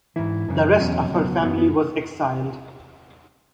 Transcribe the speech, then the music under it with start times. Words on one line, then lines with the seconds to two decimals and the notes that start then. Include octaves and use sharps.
The rest of her family was exiled.
0.16 G#2 E3 E4
0.48 F#2 C#3 E3
0.80 E2 B2 F#3 C#4
1.11 C#2 B2 F#3
1.43 F#2 F#3 B3
1.58 B3